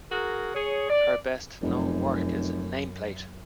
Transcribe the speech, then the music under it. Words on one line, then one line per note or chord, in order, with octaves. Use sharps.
Her best known work is Nameplate.
F#4 G#4 A#4
G#4 C#5
D5
F1 F#2